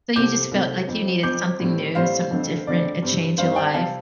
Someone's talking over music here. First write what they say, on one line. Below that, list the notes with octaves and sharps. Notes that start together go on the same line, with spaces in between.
So you just felt like you needed something new, something different, a change in life?
C2 C3 A3 C4 D6 G6
C2 C3 A3 C4
F2 F3 C4
F2 F3 C4 D6 G6
A2 G3 C4
A2 G3 C4 C5 F5
F2 D3 A3 C4
F2 D3 A3 C4 D5
G2 G3 C4
G2 G3 C4 C5 F5
D5 G5
C3 G3 C4 F5 A5